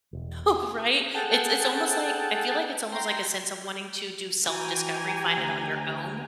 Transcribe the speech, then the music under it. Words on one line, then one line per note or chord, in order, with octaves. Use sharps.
know, no, right? It's it's almost like I feel like it's almost like a sense of wanting to do self discovery, find it on your own,
E1
G#4 A4 F#5 G5 A5
G5 A#5 C6
E3 F#4 G5 G#5 A#5
G4
D2